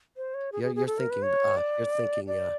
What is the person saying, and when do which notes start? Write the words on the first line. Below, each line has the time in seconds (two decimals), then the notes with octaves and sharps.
Yeah, you're thinking, uh you're thinking, uh
0.17 C5
0.34 C#5
0.52 G#4
0.63 G#4
0.75 G#4
0.87 A4
0.99 A#4
1.10 B4
1.22 C#5
1.57 D5
2.27 D5